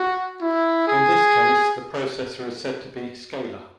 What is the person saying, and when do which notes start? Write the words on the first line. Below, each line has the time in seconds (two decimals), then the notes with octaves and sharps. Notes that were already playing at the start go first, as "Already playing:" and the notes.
In this case, the processor is said to be "scalar".
Already playing: F#4
0.41 E4
0.87 G#4